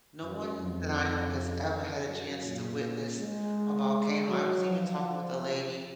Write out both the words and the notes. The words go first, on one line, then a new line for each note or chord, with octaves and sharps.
No one that I know has ever had a chance to witness a volcano. I was even talking with a lady
F#2
F2
F#2
A#2
G#3
F#3
F3